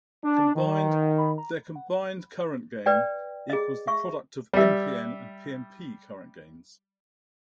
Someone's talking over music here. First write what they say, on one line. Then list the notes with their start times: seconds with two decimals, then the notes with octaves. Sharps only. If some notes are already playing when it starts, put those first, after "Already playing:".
Their combined current gain equals the product of npn and pnp current gains.
0.23 D4
0.56 D#3
2.86 B4 D5 G5
3.50 G#4 D#5
3.87 E5 C#6
4.53 G3 E5